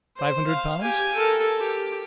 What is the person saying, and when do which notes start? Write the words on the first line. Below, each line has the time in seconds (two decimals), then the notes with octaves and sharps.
Five hundred pounds?'
0.17 C5
0.47 F5
0.81 G4 G#5
1.15 A4 A#4
1.59 G4